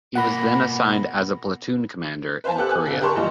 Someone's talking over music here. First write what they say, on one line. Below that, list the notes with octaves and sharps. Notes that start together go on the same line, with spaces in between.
He was then assigned as a platoon commander in Korea.
B2 A#3 F#5 B5 A#6
B4 C5 F5 G#5 A5
B3 G4 A4 F#6
G#5 F#6
G#1 D3
G4 G#4 A#4 A5 C6 C#6
G2 E3 F3 G#3